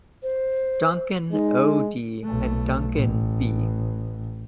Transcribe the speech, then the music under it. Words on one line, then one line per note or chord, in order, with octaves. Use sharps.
Duncan, O. D. and Duncan, B.
C5
G#3 D#4
B1 A3
A1